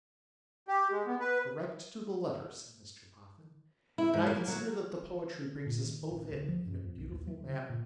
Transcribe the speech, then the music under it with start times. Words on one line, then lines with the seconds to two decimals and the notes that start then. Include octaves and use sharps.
'Correct to the letter!' said Mr Boffin. 'And I consider that the poetry brings us both in, in a beautiful manner.'
0.68 G4
0.91 G#3
1.07 B3
1.20 B4
3.98 E4
4.13 G#2
4.27 A#3
4.48 F#3
5.66 A#2
5.84 D#3
6.11 A1
6.30 D2
6.48 F3
6.65 F#2
6.84 F2
6.98 B1
7.12 D#2
7.27 F#3
7.48 C#3
7.69 A#2